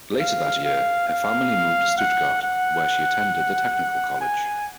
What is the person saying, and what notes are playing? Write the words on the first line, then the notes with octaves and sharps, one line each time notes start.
Later that year, her family moved to Stuttgart, where she attended the Technical College.
F5
F5
F5
F#5
F#5
G#5